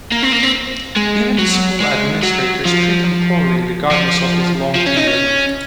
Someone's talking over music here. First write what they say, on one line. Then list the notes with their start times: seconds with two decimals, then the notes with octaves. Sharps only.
Even the school administrators treat him poorly regardless of his long tenure.
0.12 A#3
0.22 C4
0.32 A#3
0.43 C4
0.96 G#3
1.38 F#3
1.80 G#3
2.23 F#3
2.65 F3
3.92 F3
4.75 F3
4.87 C#4
4.97 D#4
5.08 C#4